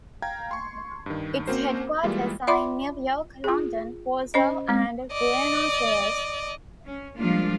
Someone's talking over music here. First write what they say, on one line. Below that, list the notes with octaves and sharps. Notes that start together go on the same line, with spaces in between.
Its headquarters are in New York, London, Warsaw and Buenos Aires.
F5 G5 A#5 G#6
C6 C#6
G2 D#3
A#3 C4 C#4 F#4 A#4 C5
E3 G3 G#3 A#3 F4
F4 D5 E5 B5 C6 D6
F4 G#4
C#4 C5 D#5
G#3 C4
D5 D#5
C#4
F3 G3 G#3 A#3 D4 F4